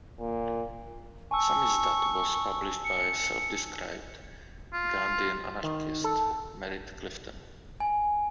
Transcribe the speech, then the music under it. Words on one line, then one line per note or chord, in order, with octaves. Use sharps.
"Samisdat" was published by self-described "Gandhian anarchist" Merritt Clifton.
A#2
G#5 A5 C#6 E6
C#7
F4
D#3
A4
G#5